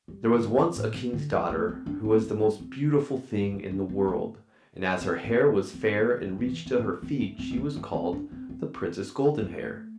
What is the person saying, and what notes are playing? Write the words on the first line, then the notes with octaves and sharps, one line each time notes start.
There was once a King's daughter who was the most beautiful thing in the world, and as her hair was fair and reached to her feet she was called the Princess Goldenhair.
G3
D3
C3
A2
C3
D3
G3
A3
C4
D4
C4
A3
G3
C4
G3
A3
D4
C4
A3
C4
C4
A3
C4
A3
G3
A3
G3
E3
C4
C4
A3
C4
A3
C4
A3
C4
A3
C4
D4
C4
C4
C4
A3